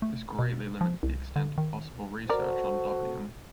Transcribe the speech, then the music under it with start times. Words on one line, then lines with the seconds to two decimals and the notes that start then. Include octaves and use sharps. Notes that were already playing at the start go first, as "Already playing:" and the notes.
This greatly limits the extent of possible research on dubnium.
0.02 A3
0.39 B2
0.81 F3
1.03 C2
1.36 D3
1.58 D#3
2.29 F#4 A4 A#4 C5 D5